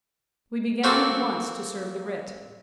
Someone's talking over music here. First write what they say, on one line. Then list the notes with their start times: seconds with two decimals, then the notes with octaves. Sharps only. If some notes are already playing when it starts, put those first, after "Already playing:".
We began at once to serve the writ.
0.84 A#3 C4 F#4 A4